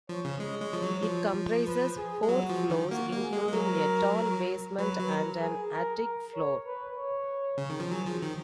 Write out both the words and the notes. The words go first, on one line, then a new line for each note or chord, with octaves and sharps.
It comprises four floors, including a tall basement and an attic floor.
F3 C#5
C#3
G#3 C#5
G#3
F3
F#3
F3
B4
G#4
G#3
F#3 F#4
F3
D#3
A#3 F#4
A#3
G#4
G#3
G#3
F#3 A#4
F#3 B4
F#3
A#4
G#4
A#4
A#4
C#5
B4
C#5
C#3
D#3
F3
F#3 G#4
F3
D#3